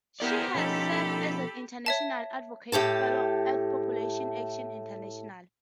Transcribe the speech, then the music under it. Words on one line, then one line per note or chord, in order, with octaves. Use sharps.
She has served as an international advocacy fellow at Population Action International.
B3 E4 G4 A#4 C5 D5
B2 F3 C#4 D#4 A4 B5
C#5 E5 A5
A2 G4 A4 A5